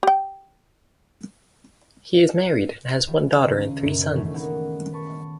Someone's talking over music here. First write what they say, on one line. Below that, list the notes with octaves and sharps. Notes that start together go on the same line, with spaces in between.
He is married and has one daughter and three sons.
G4 G5
D#3 F3 G3
C#2 C#3 G#3
B1 F#2 A#2
D#3 E3 A3 C#4 D4 G#4
A#3 B3 D#4 A#4 C#5 F#5
B4 A5 C#6